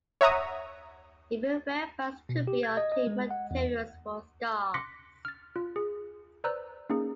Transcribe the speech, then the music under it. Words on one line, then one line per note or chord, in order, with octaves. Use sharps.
Even where funds could be obtained materials were scarce.
C#5 E5 F#5 A#5 C#6 D#6
B2
G4
G#6
D#5
D#5
G#3
F#5
E2
C6 D6 F#6 A#6 B6 C#7
F6 A6
F4
G#4
B4 C5 D5 A#5 E6 F#6
A#3 C#4 D#4 G#4